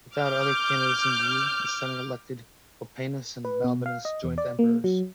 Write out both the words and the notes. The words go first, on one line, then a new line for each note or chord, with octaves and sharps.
Without other candidates in view, the senate elected Pupienus and Balbinus joint emperors.
D6 F6 G6
B4
B2
F5
D#5
E2
D5
A#3
F#3